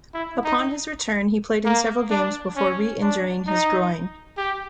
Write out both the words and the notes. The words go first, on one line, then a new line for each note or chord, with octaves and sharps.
Upon his return, he played in several games before re-injuring his groin.
E4
D#4
A#3
D4
C#4
D4
D#4
G4